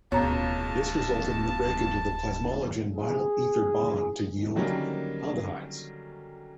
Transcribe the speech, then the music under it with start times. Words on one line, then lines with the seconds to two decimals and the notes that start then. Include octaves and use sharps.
This resulted in the breakage of the plasmalogen vinyl-ether bond to yield aldehydes.
0.12 D1 C#2 B2 C#5 A5 A#5
2.95 G#4
4.55 D3 D#3 F#3 G3 A#3 C#4